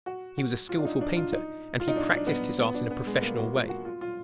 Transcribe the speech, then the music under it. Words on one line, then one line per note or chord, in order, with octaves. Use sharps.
He was a skilful painter, and he practised his art in a professional way.
F#4
F#4
F4
D4
D#4
D4
F4
D#4
F4
D#4
D4
D4
B3
B3
D4
B3
G#3
B3
A#3
F#4
F4
F#4
F4
F4